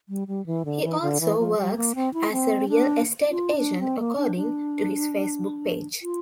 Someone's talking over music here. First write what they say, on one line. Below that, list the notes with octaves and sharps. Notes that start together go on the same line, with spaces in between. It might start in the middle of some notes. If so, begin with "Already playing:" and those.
He also works as a real estate agent according to his Facebook page.
G3
G3
E3
D3
E3
D3
E3
F3
G3
A#3
C4
E4
C4
D4
F4
D4
C4
A#3
D4
D4
F4